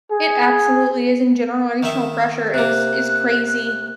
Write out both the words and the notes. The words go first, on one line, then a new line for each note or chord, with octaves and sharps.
It absolutely is, and generational pressure is is crazy.
G#4
D#3 E5
C3 A#3 F#6